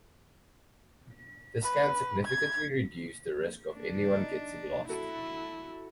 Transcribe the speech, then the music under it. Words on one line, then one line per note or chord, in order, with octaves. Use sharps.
This can significantly reduce the risk of anyone getting lost.
B4
G#6
D4
D#4
E4 F#4 A4